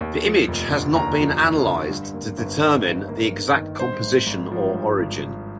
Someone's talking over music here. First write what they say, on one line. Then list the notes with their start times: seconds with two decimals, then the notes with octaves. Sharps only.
The image has not been analyzed to determine its exact composition or origin.
0.01 D#2
0.25 F3
0.48 F1
0.72 D3
0.95 D#2 A#5
1.19 F3
1.43 F1
1.66 D3
1.90 G2
2.14 A#3
2.38 G1
2.62 D#3
2.86 G2
3.08 A#3
3.32 G1
3.56 D#3
3.79 G2 C5
4.04 G#1
4.27 G#1
4.51 F3
4.74 G2
4.98 G#1